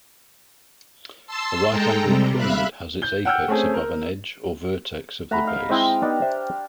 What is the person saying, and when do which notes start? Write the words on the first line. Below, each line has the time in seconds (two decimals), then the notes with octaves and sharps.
A right-angled pyramid has its apex above an edge or vertex of the base.
1.27 A5 C6 E6
1.70 G#3 A4 G5 A#5
2.03 C3 G3
2.37 E5 F5 B5 F#6
3.02 G6 G7
3.25 F#5 G5 E6 F6 G6
3.48 A3 C4 C#4 G#4
3.74 A#4
5.31 A3 E5 F#5 A#5 B5
5.44 D#4 F5
5.69 G#3 C4 E4 D#5 G5 C6
6.02 B3 D4 D#4 G4
6.22 C5 E5